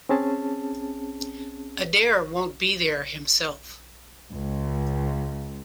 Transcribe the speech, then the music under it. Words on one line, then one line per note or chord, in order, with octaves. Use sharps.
Adair won't be there himself.
C4 C#4 G#4 A5
C#2